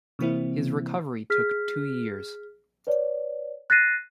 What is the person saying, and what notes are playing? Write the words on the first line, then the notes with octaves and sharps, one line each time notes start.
His recovery took two years.
C3 E3 A#3 C4 E4
G#4 F6 B6
B4 C#5 D5
F#6 A6 A#6 C7 D#7